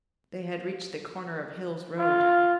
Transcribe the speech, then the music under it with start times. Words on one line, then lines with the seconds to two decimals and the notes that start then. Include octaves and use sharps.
They had reached the corner of Hills Road.
1.98 F4